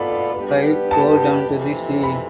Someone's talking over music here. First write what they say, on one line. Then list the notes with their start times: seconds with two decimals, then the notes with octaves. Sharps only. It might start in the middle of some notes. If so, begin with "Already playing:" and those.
Five Go Down to the Sea?
Already playing: B2 B3 F4 A4 D5 B5
0.35 G3 B3 D4 G4 B4
0.91 A5
1.46 F2 C3 E3
2.03 B5